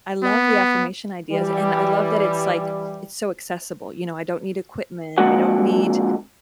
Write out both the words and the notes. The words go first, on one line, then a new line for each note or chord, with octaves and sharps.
I love the affirmation ideas, and I love that it's, like, it's so accessible, you know, I don't need equipment, I don't need
B3
E3 G3
F2 D3 G#3 A#3 F#4 F#5